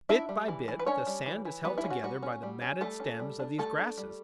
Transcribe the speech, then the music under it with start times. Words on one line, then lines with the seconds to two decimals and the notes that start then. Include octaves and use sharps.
Bit by bit, the sand is held together by the matted stems of these grasses.
0.09 D4 E4 E5
0.29 G3
0.48 E3
0.68 E3
0.79 B4
0.86 C#4 D4 C#5
1.07 G3
1.26 E3
1.45 E3
1.65 G3 B3 B4
1.78 E4
1.84 C#4
1.90 F#4
2.03 G3 F#4
2.23 C#4
2.43 G3
2.61 C#4
2.81 G3 A3 A4
3.00 C#4
3.20 G3
3.39 D4
3.58 G3 A3 A4
3.78 D4
3.98 G3